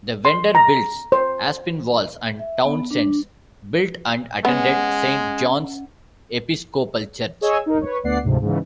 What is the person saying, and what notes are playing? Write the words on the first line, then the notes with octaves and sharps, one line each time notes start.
The Vanderbilts, Aspinwalls and Townsends built and attended Saint John's Episcopal Church.
C6
A#5
C5
E5
B3
D4
G#3 B3 C#4 F#5
G#4 C#5 D#5 G#5 E6 G#6
D#4 A#4
B4 C#5
D2 B3 D5 F#5 C7
D2 G#2 C3 F3
G#2 C#3 E3